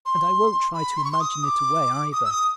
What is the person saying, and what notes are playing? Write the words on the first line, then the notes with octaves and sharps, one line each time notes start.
And I won't try to imagine it away, either.
C6
B5
C6
C#6
C6
D#6
D6
D#6
E6
D#6